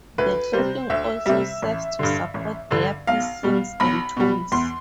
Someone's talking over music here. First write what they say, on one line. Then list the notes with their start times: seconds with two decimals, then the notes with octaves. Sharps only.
The clothing also serves to support their piercings and tools.
0.18 D2 B4
0.53 C3 G3 C5
0.90 D2 E5
1.26 C3 G3 E5
1.62 A1
1.99 G2 D3
2.34 A1
2.71 G2 D3
3.07 B1 F5
3.43 B2 G3
3.80 B1 B5
4.17 B2 G3
4.52 E2 C6